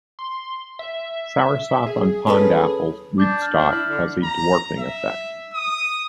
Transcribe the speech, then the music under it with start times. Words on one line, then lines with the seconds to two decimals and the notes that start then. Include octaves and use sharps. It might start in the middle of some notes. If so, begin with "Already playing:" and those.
Soursop on Pond-apple rootstock has a dwarfing effect.
0.19 C6
0.79 E5
1.86 G#4
2.27 C#4 A4 B4
3.18 D4 D6 G6 A6
3.42 F6
3.57 D4
3.71 E4 F6
3.88 D3
4.23 A#5
4.79 E5
5.54 D#6